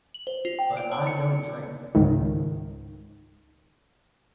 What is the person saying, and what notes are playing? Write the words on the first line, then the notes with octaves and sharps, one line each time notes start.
But I don't drink.
F#7
C5
F4
G5
D7
C#5
C#7
C#2 G#2 D#3